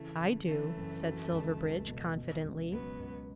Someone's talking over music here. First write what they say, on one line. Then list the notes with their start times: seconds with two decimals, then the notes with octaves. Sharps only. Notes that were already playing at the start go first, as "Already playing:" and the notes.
"I do," said Silverbridge confidently.
Already playing: C#3 E3 A3 E4
0.21 C#3
0.48 E3 A3 C#4
0.77 F#2
1.04 F#3
1.32 C#2
1.60 C#2
1.88 B2
2.16 B2
2.44 C#2
2.71 C#2 F#3 B3
2.99 C#2